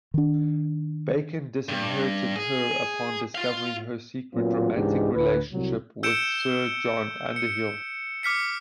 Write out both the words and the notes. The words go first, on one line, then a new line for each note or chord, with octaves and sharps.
Bacon disinherited her upon discovering her secret romantic relationship with Sir John Underhill.
D#3 D4
G2
G#4
F4 F5
A#2 F#3 B3 C#4 F4
C#2 G#2 E3 G#3 D4 G4
D2 B4
C2 F#3
E6 G6 C#7 D7 E7
C#7
D6 F6 B6 C#7